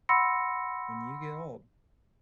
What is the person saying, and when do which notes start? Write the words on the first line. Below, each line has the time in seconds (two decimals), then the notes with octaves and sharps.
when you get old,
0.09 F#5 B5 C6 E6 A#6 C#7